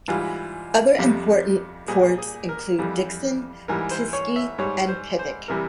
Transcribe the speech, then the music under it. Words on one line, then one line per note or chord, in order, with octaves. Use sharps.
Other important ports include Dikson, Tiksi, and Pevek.
G#2 E3 G3 F4
F2 C3 G3
A#2 G3 G#4
G#4
A#4
F2 E3 G3
G#2 E3 G3 A#4
C5
C#5
E5
G#2 G3 C#5
C5
C5
C3 E3 G3 A#4